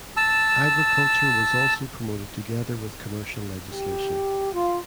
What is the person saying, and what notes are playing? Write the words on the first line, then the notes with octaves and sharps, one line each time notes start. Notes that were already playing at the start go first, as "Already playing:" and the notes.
Agriculture was also promoted together with commercial legislation.
A5 E6
G4
F4